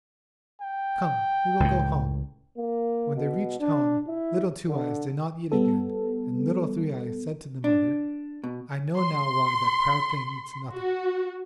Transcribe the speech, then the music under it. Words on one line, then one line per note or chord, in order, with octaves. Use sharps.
Come, we will go home.' When they reached home, Little Two-eyes did not eat again, and Little Three-eyes said to the mother, 'I know now why that proud thing eats nothing.
G5
C#2 A2
A#3
B2
D4
E4
D3
G3 B3 A4
D4
B2
C6
F#4